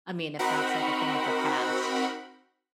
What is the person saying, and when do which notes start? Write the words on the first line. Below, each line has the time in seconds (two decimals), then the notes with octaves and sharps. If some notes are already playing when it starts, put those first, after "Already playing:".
I mean, if that's, like, a thing of the past,
0.39 C4 D#4 F#4 A#4 F#5 B5